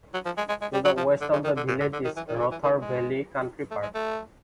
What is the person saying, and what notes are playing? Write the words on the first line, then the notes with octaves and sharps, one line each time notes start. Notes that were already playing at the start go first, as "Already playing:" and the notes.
To the west of the village is Rother Valley Country Park.
F#3
F3
G#3
G#3
G#3
G3
F#3
F3
D3
C#3
D#3
D3
A#2
D3
D3
D#3
E3
D#3
C#3
D3
E3
D#3
G#3
A3
G#3
A3